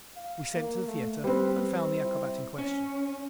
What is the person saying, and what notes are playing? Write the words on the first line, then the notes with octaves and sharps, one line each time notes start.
We sent to the theater and found the acrobat in question.
F5
A#3
A3
G3 C4 B4
E4
C#4